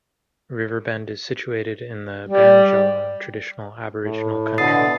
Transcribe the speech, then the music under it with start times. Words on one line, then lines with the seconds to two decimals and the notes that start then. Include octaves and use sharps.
Riverbend is situated in the Bundjalung traditional Aboriginal country.
2.29 G3
4.05 A2
4.58 B2 D3 D#6 A6 C7